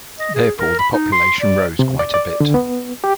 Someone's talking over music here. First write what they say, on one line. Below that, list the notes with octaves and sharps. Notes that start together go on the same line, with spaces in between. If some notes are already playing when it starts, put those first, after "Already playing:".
Therefore, the population rose quite a bit.
D#5
G#4
A#4
B5
D#4
C6
D5
C3
D5
D5
D3
B3
G4